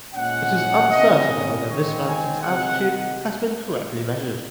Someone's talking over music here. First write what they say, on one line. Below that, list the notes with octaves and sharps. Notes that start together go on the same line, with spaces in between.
It is uncertain whether this mountain’s altitude has been correctly measured.
A#2 G#3 C#4 F#5
C3 D#3 A#3 C#4 D#5
D#5
D#3 G#3 C4 C#5
G#5
C3 D#3 G#3 F#5